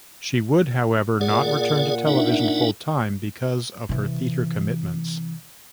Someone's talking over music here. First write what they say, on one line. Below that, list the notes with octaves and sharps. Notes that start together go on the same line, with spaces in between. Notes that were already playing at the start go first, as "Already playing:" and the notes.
She would however not return to television full-time because of her theatre commitments.
A#2 G#4 D5 F#5
D4 D#4 E5
C3 E3